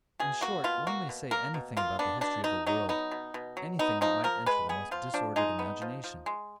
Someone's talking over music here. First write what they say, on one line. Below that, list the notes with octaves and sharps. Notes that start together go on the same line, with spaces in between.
In short, one may say anything about the history of the world--anything that might enter the most disordered imagination.
B2 G#4
A#3 F#4
B2 F4
A#3 F#4
B2
A#3 A#4
B2
A#3 F4
B3 D4
B2 D4
B2 D#4
F#3 D#4
B3 D#4
B2
B2
F#3
B3 D#4
F3 D#4
F3 A#4
G#3 B4
B3 G#4
F3 F4
F3 D4
G#3 D#4
B3
F3
F3
G#3